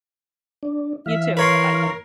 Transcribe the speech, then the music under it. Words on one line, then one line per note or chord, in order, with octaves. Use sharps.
You, too. Bye.
D4
E3 E5 F5
A#4 B4 C#5 C6